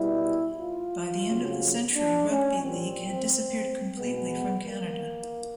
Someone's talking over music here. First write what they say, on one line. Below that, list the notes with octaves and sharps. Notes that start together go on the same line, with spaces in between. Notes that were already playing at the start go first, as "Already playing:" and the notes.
By the end of the century, rugby league had disappeared completely from Canada.
Already playing: B2 G3 E4
F4
F2 C#3 F#3
D4
C#4
A#2 G3 C4
B2 G#3 B3
A#3